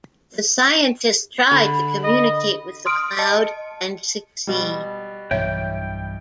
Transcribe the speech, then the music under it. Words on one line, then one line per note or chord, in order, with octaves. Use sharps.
The scientists try to communicate with the cloud, and succeed.
D3 B5
D#5
C6 D#6 F6 D7
D#5 A5 C#7
B2 G3
B1 G2 E3 C#5 E5 G5